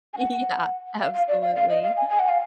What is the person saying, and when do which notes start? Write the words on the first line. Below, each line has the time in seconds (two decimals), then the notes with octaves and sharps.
Yeah. Absolutely.
0.14 G#5
0.18 F#5
1.00 F5
1.14 F5
1.28 D5
1.42 F5
1.56 F5
1.69 D#5
1.83 F5
1.97 G#5
2.10 G#5
2.19 F#5
2.29 F5